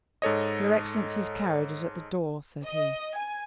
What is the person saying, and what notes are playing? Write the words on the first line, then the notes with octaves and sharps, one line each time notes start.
"Your excellency's carriage is at the door," said he.
G#2 A4 C#5 D#5
D#5
G#5